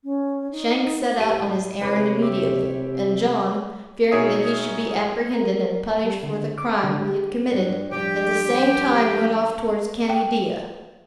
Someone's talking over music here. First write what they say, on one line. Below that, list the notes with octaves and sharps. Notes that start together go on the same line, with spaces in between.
Shanks set out on his errand immediately,--and John, fearing that he should be apprehended and punished for the crime he had committed, at the same time went off towards Caneadea.
C#4
D#4
D#4
A2 G3 D#7
C3 E3 B4 C#5 D6
G4 E5 D6
B2 D#4 G#4 C#5 E5 D#6
A#4
G3
D3
D6
D3
G4
G2
G2 F3 G4 G5
G5